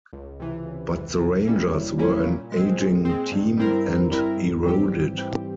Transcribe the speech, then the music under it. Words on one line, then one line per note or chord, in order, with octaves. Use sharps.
But the Rangers were an aging team, and eroded.
C#2
C3 E3
C#2
C3 E3
C3
G3 A#3 C#4 E4
C3
G3 A#3 C#4 E4
A#2
G#3 C4
A#2
G#3 C4
G2
G3 C4 E4 A#4
G2
G3 C4 E4 A#4
G#2
E3 G3 C4 G4
G#2
E3 G3 C4 G4